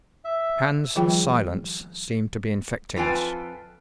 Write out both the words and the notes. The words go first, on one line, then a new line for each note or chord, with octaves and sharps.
Hans' silence seemed to be infecting us.
E5
D#3 F3 G3 F4 G#4 G5
F2 F4 A4 B4 G5 G#5